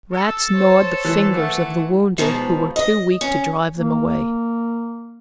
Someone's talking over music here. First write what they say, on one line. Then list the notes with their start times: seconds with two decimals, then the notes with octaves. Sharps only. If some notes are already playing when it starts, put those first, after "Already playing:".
Rats gnawed the fingers of the wounded who were too weak to drive them away.
0.12 A4
0.52 C5 C#5
1.04 E3
1.33 A3 F#5
2.18 G#2 B2 F3
2.76 D#5
3.21 C#4
3.77 A#3